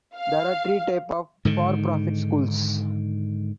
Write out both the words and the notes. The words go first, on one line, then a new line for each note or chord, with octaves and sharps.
There are three types of for-profit schools.
F5
G#2 D3 D#3